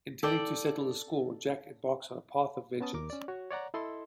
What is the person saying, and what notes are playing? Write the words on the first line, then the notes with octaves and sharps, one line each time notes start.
Intending to settle the score, Jack embarks on a path of vengeance.
A4 D5 G5
B3 C#4 A5 D#6
D#2 A#4 D6
C#4 D5
F#4 C#5
C#5 D5 F#5 A#5
E4 A4 D#5 C6